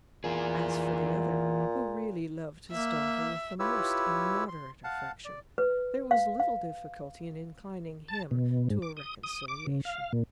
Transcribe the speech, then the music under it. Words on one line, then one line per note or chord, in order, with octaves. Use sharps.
As for the other, who really loved his daughter with the most immoderate affection, there was little difficulty in inclining him to a reconciliation.
A#2 E3 G#4
A#3 E5
E4 F4 G4 B4 C#5 E6
C6
F5 F#5 A5
D5
B4
F5
F5
A5
B2
G#2
D6
D#6
D#6
D6
C#3
F5
A#2